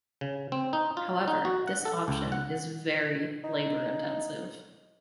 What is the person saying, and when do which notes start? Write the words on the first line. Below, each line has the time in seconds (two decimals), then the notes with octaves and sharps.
However this option is very labor-intensive.
0.21 C#3
0.52 C4
0.73 D#4
0.97 F4
1.28 D#4
1.45 F#4
1.67 F#5
1.85 A4
2.08 C#2
2.32 F#5
3.44 D#4